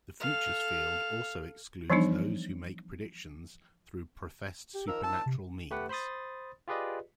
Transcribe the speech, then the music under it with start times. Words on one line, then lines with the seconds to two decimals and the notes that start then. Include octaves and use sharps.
The futures field also excludes those who make future predictions through professed supernatural means.
0.20 A4 F5
1.90 E3 F3 G3 B3 D4 D#4
4.75 G4
4.88 D#3 F3 A#4 E6
5.04 A5
5.26 C3
5.71 A3 G4 B4 F#5
5.89 C5 B5 C6 D#6 A6
6.68 F4 G4 G#4 B4 D5 D#5